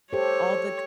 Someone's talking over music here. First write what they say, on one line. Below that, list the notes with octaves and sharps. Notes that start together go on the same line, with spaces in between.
all the g
G4 A4 C5 C#5